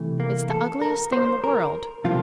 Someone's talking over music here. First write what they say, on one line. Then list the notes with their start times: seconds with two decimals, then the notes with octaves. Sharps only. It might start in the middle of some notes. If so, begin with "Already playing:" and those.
It's the ugliest thing in the world.
Already playing: C3 E3 A3
0.20 A#3
0.50 A4
0.82 A#4
1.12 C5
1.44 A#4
2.04 C3 F3 A3 F4